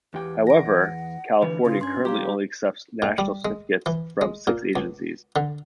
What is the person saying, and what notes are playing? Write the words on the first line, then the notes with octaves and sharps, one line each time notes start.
However, California currently only accepts national certificates from six agencies.
E2 G4 G5
F#5 A#6 D7
D3 E3 G3 B4
C#3 F4
G2 C#4 C6 G#6
G3 G4 F5 A#5 D6
A2
G3
G#3
E3
G#3
A#2
C#2
D3